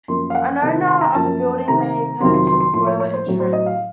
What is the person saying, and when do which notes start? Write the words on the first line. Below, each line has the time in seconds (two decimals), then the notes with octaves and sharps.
An owner of a building may purchase boiler insurance.
0.08 F#2 F3 A#3 C6
0.30 F5
0.35 F#5
0.61 C3 D#3 A3 C4 A5
0.88 C6
1.01 A#5
1.15 F#2 F3 A#3 A5
1.68 C3 D#3 A3 C4 A#5
2.20 F2 C3 D#3 F#3 C4 C6
2.34 C6
2.47 C6
2.60 C6
2.74 A2 F3 A#3 C6
2.87 C#5
3.00 C#5
3.14 C5
3.27 A2 F#3 C4
3.40 C5
3.53 D#5
3.66 F5